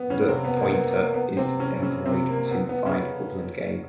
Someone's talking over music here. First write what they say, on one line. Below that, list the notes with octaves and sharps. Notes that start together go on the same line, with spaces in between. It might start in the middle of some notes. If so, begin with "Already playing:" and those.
The pointer is employed to find upland game.
Already playing: B3
C#3 C#4
C3 C4
B3
A#3
B3
A#3
B3
C3 C4
C#3 C#4
C#3 C#4
C3 C4
A#3
B3
B3
C#3 C#4